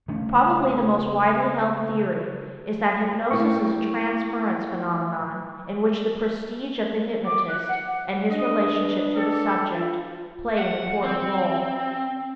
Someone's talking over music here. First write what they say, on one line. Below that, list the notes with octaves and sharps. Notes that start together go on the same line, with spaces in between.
Probably the most widely held theory is that hypnosis is a transference phenomenon in which the prestige of the hypnotist and his relationship to the subject plays an important role.
C#3 A3 C#4
A3 E4 A#4 G5 C#6
D6
F#6
F#5
D4 B4 D#5
G4 A4
F4
F#5
C4